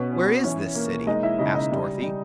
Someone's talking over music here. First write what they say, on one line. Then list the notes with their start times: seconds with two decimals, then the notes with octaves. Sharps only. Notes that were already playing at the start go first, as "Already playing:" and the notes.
"Where is this city?" asked Dorothy.
Already playing: B2 B3 C#4 B4
0.12 C#4
0.43 E3 C#4 C#5
0.75 A#3
1.07 G#3 D#4 D#5
1.23 E4 E5
1.38 C#3 D#4 D#5
1.55 D#4 D#5
1.71 G3
2.02 G3